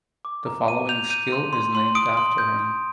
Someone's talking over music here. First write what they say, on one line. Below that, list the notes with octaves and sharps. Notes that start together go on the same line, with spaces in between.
The following skill is named after him.
D6
A#5
A#5 D#7
G6 F7
G6 D#7
C6
C6
C6
D#6 D7
C6
G6
G6